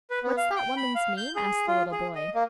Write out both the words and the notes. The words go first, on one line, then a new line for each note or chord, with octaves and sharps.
"What's that woman's name?" asked the little boy.
B4
B3
F5
G5
B5
F5
G6
G#4
F4
G#4
D#5
A#3